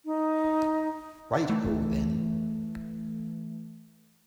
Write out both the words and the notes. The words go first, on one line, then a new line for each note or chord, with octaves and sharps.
Right ho, then.
D#4
E3 A3